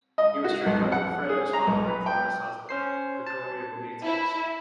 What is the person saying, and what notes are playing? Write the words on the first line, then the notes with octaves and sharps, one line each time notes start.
He was trained by Wilfredo's father and Clara's husband, Gregorio Benitez.
D#5
F#4
B1
F2
F#5
G#4
A#5
B1
B4
G5
C#4 C5 C7
A5
E4